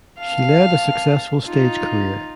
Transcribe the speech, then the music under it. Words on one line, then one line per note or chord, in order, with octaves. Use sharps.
She led a successful stage career.
F5 A5
D#4 F4